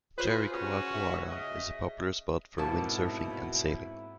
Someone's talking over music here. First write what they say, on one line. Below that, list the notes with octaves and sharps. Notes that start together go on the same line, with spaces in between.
Jericoacoara is a popular spot for windsurfing and sailing.
F4 G#4 B4 C5
C#4 F#4
E5
C#3 D#5
G#2 B2 A#3 C4 E4 F#5 A5